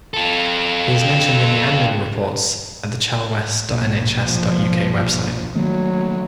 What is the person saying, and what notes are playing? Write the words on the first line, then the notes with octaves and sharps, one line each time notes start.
He is mentioned in the annual reports at the chelwest.nhs dot uk website.
F4 A4
B1 A#2
F3
D#3 F#3 A3 A#3